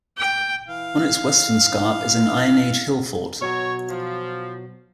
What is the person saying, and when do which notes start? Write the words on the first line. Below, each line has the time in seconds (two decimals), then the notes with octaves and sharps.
On its western scarp is an Iron Age hill fort.
0.18 G5
0.68 E3 F5
3.41 B2 F#3 F#4 C#5
3.90 F3